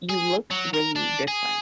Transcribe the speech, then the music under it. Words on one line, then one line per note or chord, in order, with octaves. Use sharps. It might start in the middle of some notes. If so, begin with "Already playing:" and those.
you look really different,
G#4
F#3
A#4
D4
G#4